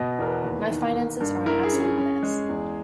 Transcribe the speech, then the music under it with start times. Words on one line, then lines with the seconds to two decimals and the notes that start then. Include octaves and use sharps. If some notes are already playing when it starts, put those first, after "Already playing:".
My finances are an absolute mess.
Already playing: B2 D#5
0.19 E2 A#4
0.27 B4
0.44 D#2
0.69 D#3
0.94 A#3
1.21 G2
1.46 E4 A#4
1.63 G#4
1.72 C#4
1.80 G#4
1.98 C#4
2.23 G#3
2.49 E2